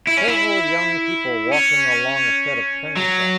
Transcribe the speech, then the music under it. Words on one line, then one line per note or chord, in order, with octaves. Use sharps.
Several young people walking along a set of train tracks.
E4
C#4
E4
C#4
F#3